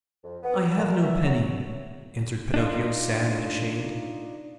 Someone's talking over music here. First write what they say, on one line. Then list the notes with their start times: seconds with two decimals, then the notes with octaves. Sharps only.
"I have no penny," answered Pinocchio, sad and ashamed.
0.24 F2
0.43 B3
0.76 A#2
0.88 A#4
1.02 E5
1.24 F#3
2.54 D4 D#4 F4